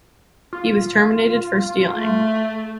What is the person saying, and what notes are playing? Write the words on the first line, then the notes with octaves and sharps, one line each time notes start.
He was terminated for stealing.
F4
A3